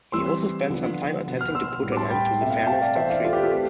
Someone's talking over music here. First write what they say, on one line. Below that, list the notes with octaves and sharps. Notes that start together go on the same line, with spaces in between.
He also spent some time attempting to put an end to the Fairness Doctrine.
E3 G3 C4 C6 E6
D3 F3 B3
B2 B3
F6
C6 E6
A2 G3 B3
D6
A5 C6
G5 B5
B2 A3 C4 E5
F5
G5
F5 A5
D5 F5
E3 B3 C5 E5
D5 F5
F4 A4
G4 B4
F4 A4
A3 C4 G4